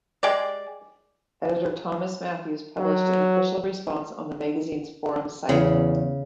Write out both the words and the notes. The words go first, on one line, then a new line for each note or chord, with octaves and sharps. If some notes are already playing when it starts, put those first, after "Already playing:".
Editor Thomas Matthews published an official response on the magazine's forum site.
G#3 G4 D5
F#3
E2 C#3